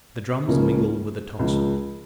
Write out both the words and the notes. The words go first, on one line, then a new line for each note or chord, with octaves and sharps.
The drums mingled with the tocsin.
C#2 C#3 F3 A#3 C#4
C#2 C#3 F3